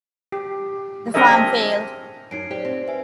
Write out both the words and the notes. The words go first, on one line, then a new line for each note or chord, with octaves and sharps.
The farm failed.
G4
C4 D4 G#4 A#4 D#5 E5
F#2 D#4 C7 D7
G4 C5 D5
C4
B4 E5 G#5